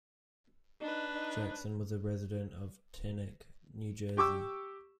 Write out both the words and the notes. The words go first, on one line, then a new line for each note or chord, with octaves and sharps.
Jackson was a resident of Teaneck, New Jersey.
D4 D#4 B4
D#4
G4 C#6 D6 E6